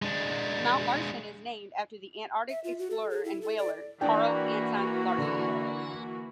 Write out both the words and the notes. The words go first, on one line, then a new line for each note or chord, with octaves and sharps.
Mount Larsen is named after the Antarctic explorer and whaler Carl Anton Larsen.
G#3 D4
E5
F4
F#4
A4
G#4
E4
A4
D5
E3 A#3 D4 F#4 G5
D3